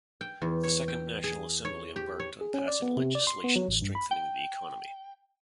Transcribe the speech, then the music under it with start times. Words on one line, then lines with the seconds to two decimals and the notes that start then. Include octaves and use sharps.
The Second National Assembly embarked on passing legislation strengthening the economy.
0.21 G5
0.42 E2
0.63 C#5
0.88 G5
1.24 G#4
1.65 C#5
1.96 G4
2.20 C#5
2.41 G#4
2.54 C#4
2.68 D5
2.82 B3
2.97 C3
3.15 D5
3.27 C6
3.44 B3
3.56 F#3
3.68 A1
3.82 G2
3.95 B5
4.11 G5